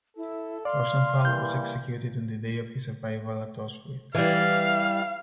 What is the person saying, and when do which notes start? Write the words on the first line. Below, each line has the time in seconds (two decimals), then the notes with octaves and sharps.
Rosenthal was executed on the day of his arrival at Auschwitz.
0.17 E4 A4
0.65 D5 F5 C6
1.25 E3 G3 A#3 G6
4.15 E3 G3 F5